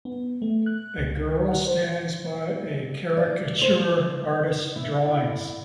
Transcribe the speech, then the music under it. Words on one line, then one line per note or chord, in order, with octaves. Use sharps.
A girls stands by a caricature artist 's drawings.
B3
A3
F#6
C#2
D#3
F#5
C5
D5
C5
E4